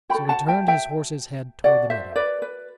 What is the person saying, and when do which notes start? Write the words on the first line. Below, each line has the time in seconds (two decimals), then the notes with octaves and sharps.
So he turned his horse's head toward the meadow.
0.09 F#4 G5 B5
0.14 A4
0.29 F#5 A5
0.48 E5 G5
0.68 E5 G5
1.64 F#4 A4 D5 F#5
1.90 C5 E5
2.16 B4 D5
2.42 B4